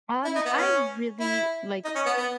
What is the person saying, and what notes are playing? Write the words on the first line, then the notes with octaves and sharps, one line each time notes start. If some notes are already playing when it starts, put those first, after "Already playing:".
Um, I really, like
E4
D#4
B3
C#4
E4
D#4
C#4
B3
B3